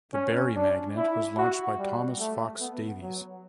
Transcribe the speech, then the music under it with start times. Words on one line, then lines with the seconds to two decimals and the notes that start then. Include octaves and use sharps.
The "Barrie Magnet" was launched by Thomas Fox Davies.
0.13 C#4
0.55 D4
0.97 E4
1.38 F#4
1.78 G3
2.20 A3
2.60 B3
3.02 F#3